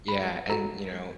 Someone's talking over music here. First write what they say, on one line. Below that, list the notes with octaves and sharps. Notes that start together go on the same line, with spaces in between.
Yeah, and, you know,
B5
F#4 A4 A#5